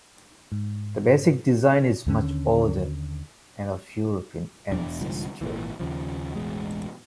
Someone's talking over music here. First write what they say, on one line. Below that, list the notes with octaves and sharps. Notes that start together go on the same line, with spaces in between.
The basic design is much older and of European ancestry.
G#2
D#2 D3 C#4
E1 E2 D4
C2 G#2 D3 F3
G#1 C#2 A#2 E3
D#2 C#3 F3
E1 A1 B2 G#3